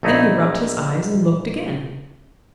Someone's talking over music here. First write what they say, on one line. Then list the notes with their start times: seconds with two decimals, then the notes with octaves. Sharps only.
Then he rubbed his eyes and looked again.
0.03 A#1 A3 D#4 E4